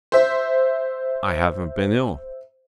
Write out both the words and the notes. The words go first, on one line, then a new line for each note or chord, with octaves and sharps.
"I haven't been ill."
C5 E5